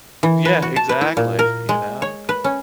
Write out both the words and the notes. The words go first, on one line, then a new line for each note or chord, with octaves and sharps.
Yeah, exactly, you know?
E3
B4
F#4
A5
B4
E4
A#2
A#4
G#3
C#5
B4
C#4